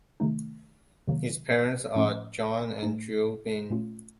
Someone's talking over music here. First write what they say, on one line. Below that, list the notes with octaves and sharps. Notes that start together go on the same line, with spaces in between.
His parents are John and Jill Bean.
C3 D#3 A3 D#4
C#2 C3 D#3 F#3 A#3
A2 F3 A3 C#4
A2 A3 D#4
A#2 A3 C#4 F4